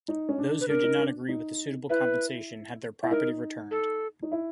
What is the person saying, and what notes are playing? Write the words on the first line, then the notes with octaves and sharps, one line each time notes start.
Those who did not agree with the suitable compensation had their property returned.
D#4
C#4
D4
B4
D4 A#4
D#4
D4
D#4
E4 B4
E4
D#4 A#4
A4
D#4
E4